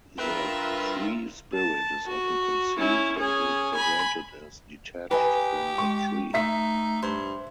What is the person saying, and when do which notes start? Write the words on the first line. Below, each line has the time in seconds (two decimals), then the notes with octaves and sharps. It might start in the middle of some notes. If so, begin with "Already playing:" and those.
The tree-spirit is often conceived and represented as detached from the tree.
0.18 D4 F4 A#4 B4 E5 G5
1.54 A5
2.08 F#4
2.77 C#4 E4
3.18 C#4 G#4
3.75 G#5 B5
5.11 G4 B4 D#5 G#5 A#5
5.78 G#3 C#6
6.34 A3 D#4 E5 B6
7.03 G2 C5